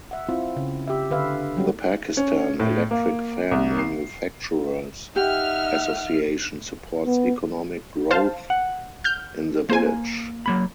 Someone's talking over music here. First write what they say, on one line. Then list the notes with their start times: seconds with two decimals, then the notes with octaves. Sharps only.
The Pakistan Electric Fan Manufacturers Association supports economic growth in the village.
0.11 E5 F#5
0.29 C4 E4 F4
0.56 C#3
0.87 G4 E5
1.11 D3 B4 E5 F5
1.57 F#3 G3 C#4 F#4 G4
2.17 C#4
2.60 A2
2.91 A#3
3.51 C2
3.78 C7
5.16 D#4 G4 E5 F#5 F6
7.06 B3
8.11 C5 F5 A5
8.50 F#5
9.04 F6 G6
9.70 A#3 C5 G#5
10.46 F#3 A#3 B5